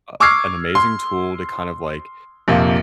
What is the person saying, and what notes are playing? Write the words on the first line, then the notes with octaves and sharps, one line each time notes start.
uh, an amazing tool to kind of, like,
C#6 D6 E6 F6 G#6 C7
C6
A#1 F2 C3 A#3